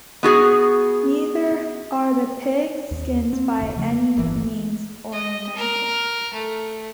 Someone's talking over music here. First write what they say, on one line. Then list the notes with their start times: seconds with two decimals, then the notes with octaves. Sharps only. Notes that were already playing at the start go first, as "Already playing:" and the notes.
Neither are the pig-skins by any means ornamental.
0.23 B3 F#4 G#4
2.91 D#2
3.33 C4
3.59 F1 D2
3.76 C#3 F3 A3
3.92 A#3
4.17 D1 G1 E3
5.12 D#5
5.56 A#4
6.33 A3